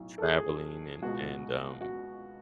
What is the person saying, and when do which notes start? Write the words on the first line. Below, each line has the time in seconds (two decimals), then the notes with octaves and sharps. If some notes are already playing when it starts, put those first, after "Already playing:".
traveling and and, um,
Already playing: B1 A2 F#3
0.18 A4
0.23 G#4
1.02 C#2 B2 G#3 F#4
1.81 F#4